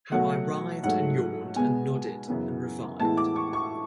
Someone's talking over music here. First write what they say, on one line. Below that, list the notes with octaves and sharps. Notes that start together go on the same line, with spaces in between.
How I writhed, and yawned, and nodded, and revived!
B2 F#3 A3 F#5
G#2 F#3 A3 F#5
B2 G#3 B3 G#5
F#2 C#3 E3 B3
A2 E3 G#3 B3 A5
D6
C#6
C#6